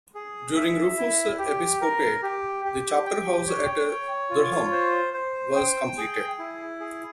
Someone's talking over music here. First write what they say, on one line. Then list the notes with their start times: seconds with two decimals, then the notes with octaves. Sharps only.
During Rufus' episcopate the chapterhouse at Durham was completed.
0.15 G#4
0.56 E5
0.98 E4
1.39 G4
1.81 A#4
2.23 G4
2.65 G4
3.06 G5
3.48 C#5
3.89 C#5
4.30 F4
4.72 C5
5.13 C5
5.56 G5
5.98 G#4
6.39 E4
6.80 G#4